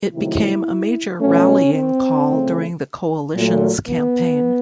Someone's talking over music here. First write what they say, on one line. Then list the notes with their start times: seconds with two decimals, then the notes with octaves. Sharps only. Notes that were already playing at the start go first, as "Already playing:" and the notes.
It became a major rallying call during the coalition's campaign.
0.13 C3 D#3 F#3 A3 E4
1.20 B2 F#3 A3 C#4
1.74 C4
2.27 C#3 F3 A3
3.35 A#2 F#3 A3
3.89 B3